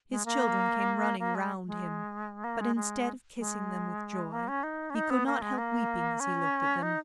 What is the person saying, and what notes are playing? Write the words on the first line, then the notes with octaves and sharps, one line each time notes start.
His children came running round him, but, instead of kissing them with joy, he could not help weeping as he looked at them.
G#3
A#3
A#3
G#3
G#3
A#3
G#3
G#3
G#3
A#3
C#4
D#4
C#4
D#4
B3
A#3
G#3
A#3
C#4
D#4